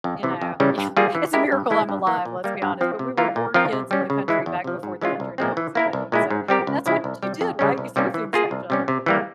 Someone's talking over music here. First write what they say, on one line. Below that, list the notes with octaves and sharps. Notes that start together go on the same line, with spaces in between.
you know Yeah, it’s a miracle I’m alive, let's be honest, but we were bored kids in the country back before the internet was a thing, so that's what you did, right? You threw things at each other.
F2
C3 E3
F2
C#3 E3 G3 C#4
G2
G3 A#3 F4 G#4
E3
G#3 E4 G4 A#4
G2
E3 G#3 E4
G2
E3 A#3
A#2
G3 A#3
G2
F3 C4
C3
E3 A#3 F4 A#4
A#2
F3 C4 F4 A#4
C3
G3 C#4
C#3
E3 G#3 E4
E2
C3 F3
G#2
E3 G#3 C#4 F4
C2
A#2 F3 G#3 C4
E3
A#3 E4 A#4
C2
A#2 G#3 E4
G#2
G3 C4 G4 A#4
C#2
C#3 F3 G#3 E4
C2
C3 G3
F2
C#3 G3 C#4
C2
C3 G3 A#3 C#4
E3
A#3 F4 G#4
C2
C3 G3 C#4
C3
E3 G3 A#3